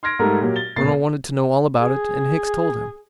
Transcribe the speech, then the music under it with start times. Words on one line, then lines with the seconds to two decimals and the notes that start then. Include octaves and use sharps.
The Colonel wanted to know all about it, and Hicks told him.
0.03 C6 F6 G#6 A#6 D7
0.19 G#2 G3 A3 A#4 A#5
0.41 A#2 F#3 A#3 G4
0.56 A6 G7
0.76 E1 A#2 A#3 A6 C7
1.80 G#4